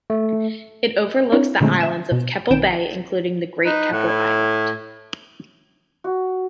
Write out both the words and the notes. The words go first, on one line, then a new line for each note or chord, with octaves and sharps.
It overlooks the islands of Keppel Bay, including the Great Keppel Island.
A3
C4 D4 E4 A#4 C#5
A#2 D3 G#3 A3 C4
E5 G#5 E7
B2
B1 D#3 C4 G6 D7 E7
D#4 B4
A2 F#5
E4
F#4